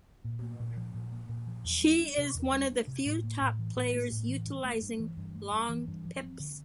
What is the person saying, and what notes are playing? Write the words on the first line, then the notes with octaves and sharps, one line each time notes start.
She is one of the few top players utilizing long pips.
A#2
A#3
A#2
F3
A#2
A#3
A#2
F3
E2
G3
D4
C3
E2
G3
D4
C3
A2
A#3
A2
E3
A2
A#3
A2
E3
G2
A3
G2
E3
G2
A3
G2
E3
G2
F3
C4
D3